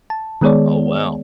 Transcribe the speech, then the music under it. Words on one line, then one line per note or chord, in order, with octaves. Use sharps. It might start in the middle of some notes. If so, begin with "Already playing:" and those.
Oh, wow.
A5
D#3 G#3 B3 G#4 C#5 D5